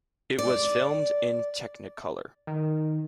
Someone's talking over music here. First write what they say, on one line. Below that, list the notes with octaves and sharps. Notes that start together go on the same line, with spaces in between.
It was filmed in Technicolor.
D5
D#3